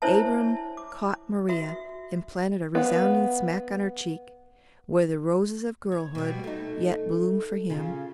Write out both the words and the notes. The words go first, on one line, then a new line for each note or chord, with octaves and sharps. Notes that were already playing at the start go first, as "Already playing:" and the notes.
Abram caught Maria, and planted a resounding smack on her cheek, where the roses of girlhood yet bloomed for him.
D4 E4 C5 C#5 E5 A5
D6
F#4 E5
B3 F5 F#5
C#5
B2 G3
A3 D#4
C#3 F4